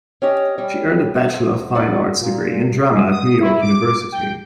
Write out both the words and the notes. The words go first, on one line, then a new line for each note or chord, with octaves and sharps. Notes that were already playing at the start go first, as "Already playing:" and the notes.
She earned a Bachelor of Fine Arts degree in drama at New York University.
C#4 G4 C#5 D#5
G3 C#4
A3
F2
E2 D#4 D5 F#5 A5
A#2
G#3
D#6
E4
D6
G5